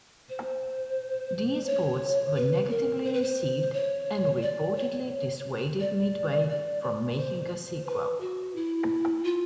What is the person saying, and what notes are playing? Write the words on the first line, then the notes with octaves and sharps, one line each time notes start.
These ports were negatively received and reportedly dissuaded Midway from making a sequel.
C5
C#5
B4
A#4
C5
B4
C5
C#5
D5
C#5
D5
D5
D5
C5
B4
F#4
E4
F4